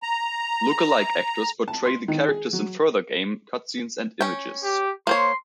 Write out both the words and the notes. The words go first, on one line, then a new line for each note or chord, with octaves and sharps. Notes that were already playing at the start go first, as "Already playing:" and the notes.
Look-alike actors portray the characters in further game cutscenes and images.
A#5
A5
C6
D#3
G#4
F#3
C#4 G5
G4
A#3 C5 C#5 C6